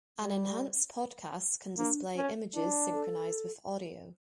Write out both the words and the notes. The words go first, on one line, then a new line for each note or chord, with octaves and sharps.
An enhanced podcast can display images synchronized with audio.
G3
A#3 D4
C#4
D4 E4
A4